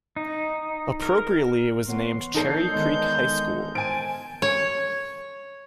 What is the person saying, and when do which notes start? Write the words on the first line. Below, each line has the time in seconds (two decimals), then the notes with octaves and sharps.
Appropriately, it was named Cherry Creek High School.
0.16 D#4
1.02 A#4
1.88 B3 C#5 F#5 C6
2.35 E3 D#4 A4 C#5 D5 G6 C7
2.72 D#3 G#3 B3 C#5
3.75 C5 G#5 A5 D7
4.42 C#5